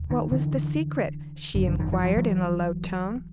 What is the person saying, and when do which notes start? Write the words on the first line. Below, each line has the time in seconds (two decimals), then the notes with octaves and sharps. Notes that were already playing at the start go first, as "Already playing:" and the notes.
"What was the secret?" she inquired, in a low tone.
Already playing: F1 D#2
0.10 D#3
0.32 D3 E3
1.55 G#1 F#2 D3
1.68 D3
1.80 D#3
1.92 E3
2.04 F3
2.17 E3 F#3